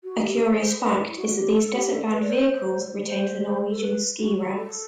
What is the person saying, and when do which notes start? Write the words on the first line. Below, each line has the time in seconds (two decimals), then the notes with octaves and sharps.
A curious fact is that these desert-bound vehicles retained the Norwegian ski-racks.
0.04 F#4
0.22 G4
0.42 A4
0.60 C5
0.79 B4
0.98 E4
1.17 F#4
1.36 G4
1.55 A4
1.74 G4
1.92 A4
2.11 B4
2.22 D5
2.30 C5
3.05 C5
3.70 A4
3.81 B4
4.19 F#4
4.39 F#4
4.56 A4